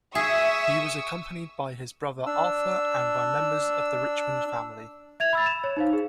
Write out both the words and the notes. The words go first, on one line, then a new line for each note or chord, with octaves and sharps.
He was accompanied by his brother Arthur and by members of the Richmond family.
G#4 E5 C#6 D#6 E6
D4 E6
E5 G#6 F7
B5 E6 A6
E7
C#5
D#4 C5 F5
G#4